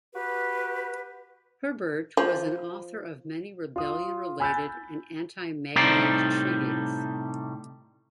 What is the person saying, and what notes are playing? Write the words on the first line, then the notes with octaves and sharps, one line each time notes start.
Herburt was an author of many rebellion-related and anti-magnate treaties.
F#4 G4 B4
F3
F4 D#6
G#5 B5 E6 F#6 G6 A6
A2 C3 G3 D#4 C5 D5